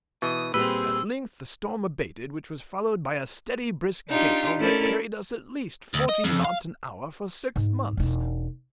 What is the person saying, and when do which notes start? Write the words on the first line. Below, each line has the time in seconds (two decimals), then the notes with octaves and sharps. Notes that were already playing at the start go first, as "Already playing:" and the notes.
At length the storm abated, which was followed by a steady, brisk gale, that carried us at least forty knots an hour for six months!
0.22 B2 E3 D#6
0.54 A#2 G3 C4 G#4 B4 E6
4.09 D4 D#4 F4 G4
4.58 A3 C#4 E4 A4 A#4 D5
5.94 D2
6.09 D#5
6.24 F2
6.44 F5
7.56 G#2
7.97 E1 D#4